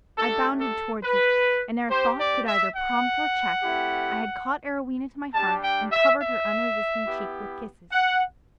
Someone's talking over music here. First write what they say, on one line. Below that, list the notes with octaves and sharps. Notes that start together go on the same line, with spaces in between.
I bounded towards it, and ere thought could either prompt or check, I had caught Arowhena to my heart and covered her unresisting cheek with kisses.
A3 D4 G4 A4
A4
B4
C4 G4 C5
D5
E5
F#5
A3 C4 E4 G4
G3 D4 G4 A5
G5
E5
E5
B3 E4 G4
F#5